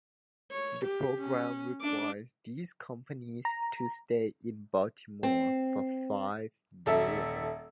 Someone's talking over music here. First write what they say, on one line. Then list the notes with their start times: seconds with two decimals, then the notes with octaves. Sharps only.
The program requires these companies to stay in Baltimore for five years.
0.52 C#5
0.85 G4
1.20 C#4
1.81 D4 D6
3.45 A#5
5.23 C4
6.86 D#1 A4 E5